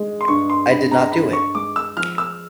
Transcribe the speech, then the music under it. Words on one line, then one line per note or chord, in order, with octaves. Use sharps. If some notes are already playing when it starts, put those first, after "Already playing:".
I did not do it.
Already playing: G#3
C6
G2 C#6
C6
G2 B5
A#5
G2 B5
C#6
G#3 D6
E6
F3 F6
E6